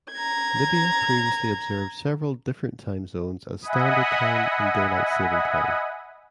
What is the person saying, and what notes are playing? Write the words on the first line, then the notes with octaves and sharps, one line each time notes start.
Libya previously observed several different time zones as standard time and daylight saving time.
A#5 G#6
D#5 E5 F#5 G#5 B5 D#6